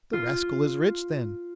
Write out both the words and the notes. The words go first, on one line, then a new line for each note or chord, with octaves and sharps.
"The rascal is rich, then?"
F4